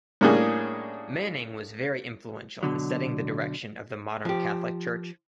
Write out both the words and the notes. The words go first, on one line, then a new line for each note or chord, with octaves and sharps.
Manning was very influential in setting the direction of the modern Catholic Church.
A2 G3 A#3 C#4 D4 G#4
B2 D3 F#3
F3 G4